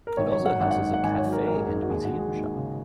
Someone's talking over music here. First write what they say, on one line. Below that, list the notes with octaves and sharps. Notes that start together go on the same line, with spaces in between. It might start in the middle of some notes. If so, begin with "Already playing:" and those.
It also houses a cafe and museum shop.
A#4
G#1 C#5
C#5
F#3
F#5
G#1 F#5
F#5
G#2
F#5
G#1 G#5
C#5
F#3
A#4
G#1 A#4
G#4
G#2 A#4
F#4
D#2 G#4
F#4
G#3
G#4
D#2
C#3